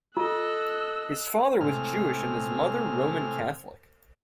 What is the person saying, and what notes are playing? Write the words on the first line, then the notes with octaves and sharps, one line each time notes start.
His father was Jewish and his mother Roman Catholic.
F4 A4 D#5 E6 F#6
A2 C3 G#3 F6